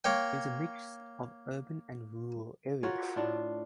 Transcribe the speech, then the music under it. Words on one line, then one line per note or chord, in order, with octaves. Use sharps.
There is a mix of urban and rural areas.
A#3 C#5 G5
F4 F#4 A#4 C#5
A2 D4 F4